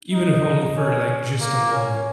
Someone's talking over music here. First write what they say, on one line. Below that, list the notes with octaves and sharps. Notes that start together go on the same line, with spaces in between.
Even if only for, like, just a moment.
D#4
C#4
A#3
C#4